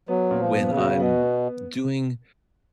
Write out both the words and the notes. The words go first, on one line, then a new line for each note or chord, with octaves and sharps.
when I'm doing
F#3 B3
A#2
F3
B3
C#3
F#4
B2 B3
B3